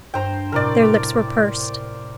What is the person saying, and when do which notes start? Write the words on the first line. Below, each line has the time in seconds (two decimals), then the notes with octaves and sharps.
Their lips were pursed.
0.14 G2 C5 G5 A#5
0.52 A2 C3 A#4 D5